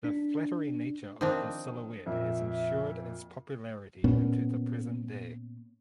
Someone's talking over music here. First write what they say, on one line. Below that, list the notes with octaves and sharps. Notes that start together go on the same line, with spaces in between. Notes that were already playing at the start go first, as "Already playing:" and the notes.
The flattering nature of the silhouette has ensured its popularity into the present day.
D4
D#3 F3 C4 D4
F2 A#2 E5
A#2 B3 C#4